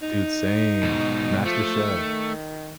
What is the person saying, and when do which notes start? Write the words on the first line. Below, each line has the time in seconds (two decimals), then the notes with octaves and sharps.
Dude, same. MasterChef.
0.02 D#4
0.83 G#2 B2
1.45 F3 A3
1.89 D#3